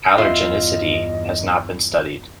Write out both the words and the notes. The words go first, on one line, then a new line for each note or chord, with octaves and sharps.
Allergenicity has not been studied.
E2 G2 F4 D#5 E5